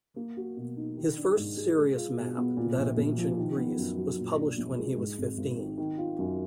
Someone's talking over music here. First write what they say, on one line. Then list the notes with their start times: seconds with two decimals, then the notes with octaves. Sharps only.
His first serious map, that of Ancient Greece, was published when he was fifteen.
0.16 A#3
0.37 F#4
0.57 B2
0.77 D#4
0.97 D#3
1.17 D4
1.37 G#2
1.57 G#3
1.78 G#3
1.97 F4
2.17 B2
2.38 B3
2.57 A#2
2.78 A#1
2.97 A#1
3.17 F3
3.38 D#3
3.57 B3
3.77 F#2
3.97 F#3
4.18 A#2
4.38 D4
4.58 A#1
4.78 G#3
4.98 G#2
5.18 G#1
5.38 G#1
5.58 D#3
5.78 D#3
5.98 F4
6.19 F#2